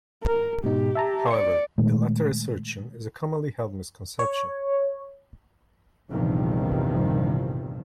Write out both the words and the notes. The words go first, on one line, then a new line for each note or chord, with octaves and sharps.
However, the latter assertion is a commonly held misconception.
A#4
G#2 B2 D#4 G4
E5 A5 A#5
D5 C#7
A#2 D#3 G#3 A3
C#5
A#1 E2 G2 C3 D#3 F3